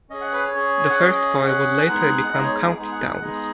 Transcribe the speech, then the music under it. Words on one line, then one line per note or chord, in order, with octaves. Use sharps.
The first four would later become county towns.
C#4 G#4 D#5
F#5
B4
C#5
C#4 G#4
G#5
F#5
C#4 G#4 D#5
C#4 G#4 F#5
G#3 B3 D#4 G#4
G#3 B3 D#4 G#4 D#5
C#5
G#4
G#4
G#3 B3 D#4 G#4
F#5
F#5
G#3 B3 D#4 G#4 D#5